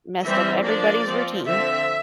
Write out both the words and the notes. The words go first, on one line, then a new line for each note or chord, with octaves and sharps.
messed up everybody's routine.
E3 G3 C4 E5
F3 A#3 D4 D5
F3 C4
D3 F3 C4 E5